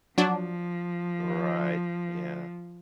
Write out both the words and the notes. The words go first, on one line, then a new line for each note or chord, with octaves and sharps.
Right, yeah.
F3 F#3 D4